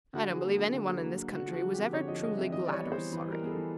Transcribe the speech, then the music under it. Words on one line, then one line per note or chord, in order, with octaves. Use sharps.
I don't believe any one in this country was ever truly glad or sorry.
D3 F#4
F#3 G#4
A#3
D3 G#4
D3
F#3
A#3
D3
D3 F#4
F3
F#4
G#3
G4
C4
D3 C#5
F3 D#5
G#3 D#5
C4 E5
E3 D#5
G3 D5
C#5
B3
E3 C5
E3 B4
G3 A#4
B3 G#4
A4
E3